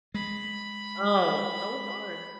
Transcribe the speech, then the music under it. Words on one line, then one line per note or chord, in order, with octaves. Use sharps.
Oh, so hard.
G#3 B5